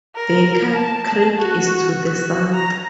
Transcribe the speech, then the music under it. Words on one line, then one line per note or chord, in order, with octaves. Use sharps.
Baker Creek is to the south.
A#4
A5
F#4
F#4
A#5